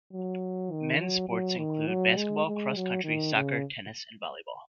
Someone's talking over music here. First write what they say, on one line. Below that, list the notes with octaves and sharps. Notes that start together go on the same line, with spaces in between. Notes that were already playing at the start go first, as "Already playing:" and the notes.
Men's sports include basketball, cross country, soccer, tennis and volleyball.
F#3
D#3
F#3
F#3
D#3
F#3
G#3
G#3
F#3
D#3
C#3